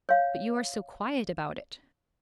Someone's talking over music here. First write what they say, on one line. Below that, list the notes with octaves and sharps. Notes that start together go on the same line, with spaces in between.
'But you are so quiet about it!
C#5 F5